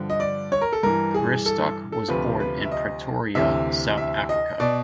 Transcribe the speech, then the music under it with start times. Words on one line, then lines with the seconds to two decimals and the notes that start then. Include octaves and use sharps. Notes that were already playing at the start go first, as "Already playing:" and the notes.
Gristock was born in Pretoria, South Africa.
Already playing: G2 D3 F3
0.10 D#5
0.20 D5
0.52 C#5
0.61 A#4
0.73 A4
0.83 G2 E3 A#4
1.14 G#4
1.46 A4
1.92 A4
2.08 D2 C3 F3 B4
2.40 B4
2.62 E5
2.72 D#5
3.35 D2 C3 E3 E5
3.98 E5
4.29 D#5
4.60 B2 D5